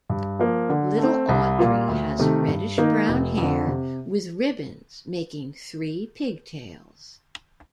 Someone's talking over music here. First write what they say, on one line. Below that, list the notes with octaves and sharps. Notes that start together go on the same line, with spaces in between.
Little Audrey has reddish brown hair with ribbons making three pigtails.
G2
F3 A#3
D3
A3
C4
C2
A#2 G3 A#3 F4
D2
C3 D#3 A3
G2
D#3 A#3 D#4 A#4
F1
F2 D3
C3